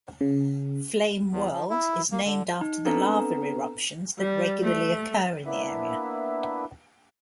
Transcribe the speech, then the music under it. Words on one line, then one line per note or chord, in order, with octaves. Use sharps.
Flame World is named after the lava eruptions that regularly occur in the area.
C#3
E2
F3
E4
A#3
D3
D#4
B3 C4 D4 A4 B4 A#5
G3
A3
A#3 B3 D4 E4 B4 E5